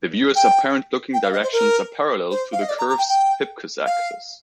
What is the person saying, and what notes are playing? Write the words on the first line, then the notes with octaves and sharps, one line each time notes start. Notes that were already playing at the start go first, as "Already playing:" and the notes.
The viewer's apparent looking directions are parallel to the curve's "hypcos" axis.
G5
G5
F5
D#5
C5
A#4
C5
F5
D#5
D5
A#5
A#5
G5
G5
F5